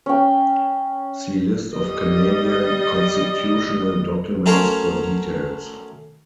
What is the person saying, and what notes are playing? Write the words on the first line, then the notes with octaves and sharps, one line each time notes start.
See list of Canadian constitutional documents for details.
C#4 G5
G3 D#5
F#3 A3 C#4 A#4 C5 C#5